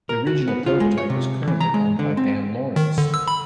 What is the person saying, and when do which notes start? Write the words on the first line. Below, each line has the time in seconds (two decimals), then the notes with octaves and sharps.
The original prototype is currently owned by Dan Lawrence.
0.09 A#4
0.27 F#4
0.48 B3
0.66 F4
0.80 G#3
0.98 C#5
1.10 C3
1.48 E3
1.61 A#5
1.74 G#3
1.99 D3
2.17 C4
2.76 D#3
2.98 D3
3.14 E6
3.28 B5